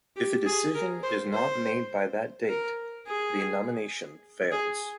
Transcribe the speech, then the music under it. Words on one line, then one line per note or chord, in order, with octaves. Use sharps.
If a decision is not made by that date, the nomination fails.
G4
G#4
A#4
C5
C5
A#4
G#4
G#4